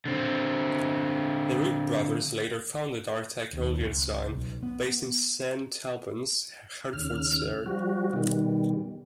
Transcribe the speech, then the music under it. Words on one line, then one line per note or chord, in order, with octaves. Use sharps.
The Ripp brothers later founded R-Tec Auto Design, based in Saint Albans, Hertfordshire.
D3 C4
D#2
C#2
B1
B3
D#2 C#3 F6
F3 G3 F#4
B2 D#3 G3